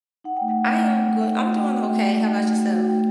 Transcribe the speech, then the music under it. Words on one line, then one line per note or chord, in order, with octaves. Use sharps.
I am goo I'm doing okay. How 'bout yourself?
D#4 F#5
A3 G5
F#5
A3
A3
A3
D#4
A3
D#4
F#4 G5
A3
A3
D#4
A3
A3
F#4
F#4
A3 G5